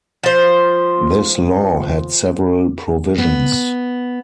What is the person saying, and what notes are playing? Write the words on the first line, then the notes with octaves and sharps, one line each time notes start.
This law had several provisions.
F3 C5
B3